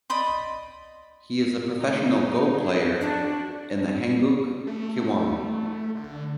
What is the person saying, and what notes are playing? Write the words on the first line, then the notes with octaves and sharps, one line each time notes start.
He is a professional Go player in the Hanguk Kiwon.
D5 D#5 B5 C6
A3 D#4
G#4
D4 F#4
A3
D3